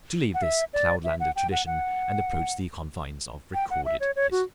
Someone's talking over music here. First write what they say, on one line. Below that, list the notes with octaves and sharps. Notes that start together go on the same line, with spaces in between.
To leave this cloudland of tradition, and approach the confines of recorded history.
F#5
E5
D5
E5
F#5
G5
F#5
F#5
G5
F#5
E5
C#5
C#5
F#4